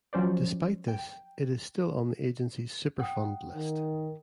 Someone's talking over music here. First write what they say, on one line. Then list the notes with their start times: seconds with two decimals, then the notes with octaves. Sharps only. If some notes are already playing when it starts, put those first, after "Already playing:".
Despite this, it is still on the Agency's Superfund list.
0.13 F3 F#3 C#4 C5 D5
0.88 G5
3.00 F#5 G5 D#6
3.54 D#3